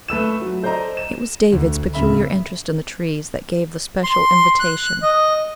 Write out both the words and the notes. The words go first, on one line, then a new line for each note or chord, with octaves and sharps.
It was David's peculiar interest in the trees that gave the special invitation.
A3 B4 E6 E7
F#3
A4 C5 D5 D#5 A#5
E7
D2
D1 C#3 E5 B5
C6
F#6
D#5